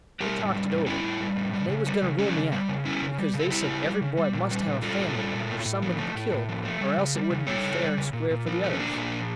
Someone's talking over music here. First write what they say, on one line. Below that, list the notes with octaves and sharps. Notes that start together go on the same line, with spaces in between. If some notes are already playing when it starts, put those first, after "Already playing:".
They talked it over, and they was going to rule me out, because they said every boy must have a family or somebody to kill, or else it wouldn't be fair and square for the others.
G3 G4 A#4
A2
G3
A2
G3 C#4 E4
A2
G3
A2
G3
C#3
G3
C#3
G3 A3 C#4
C#3
G3
C#3
G3 C#4 E4
C#3
G3
C#3
A4
G3 E4 G4
C#3
G3
C#3
G3
A#2
G3
A#2
G3 F4 A4
A#2
G3
A#2
A2
A2
F3
A3
A2
A2
F3
A3
G3
C#3
G3
C#3
G3 A4 C#5
C#3
G3
C#3
A#2
A#2
F3
A3
C#4
A#2 A#3 D4
A#2
F3